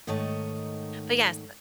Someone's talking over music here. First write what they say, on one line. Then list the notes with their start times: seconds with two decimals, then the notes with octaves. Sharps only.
But yes. Uh.
0.07 G#2 D#3 A3 C#5 D#5 A5